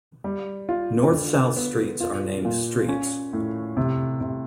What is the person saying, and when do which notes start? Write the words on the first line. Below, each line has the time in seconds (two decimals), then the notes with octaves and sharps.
North-south streets are named streets.
0.24 G3
0.69 F4
1.12 D3
1.57 B3
2.00 F4
2.45 A#2
2.89 C#4
3.33 A2
3.77 C3
4.21 C3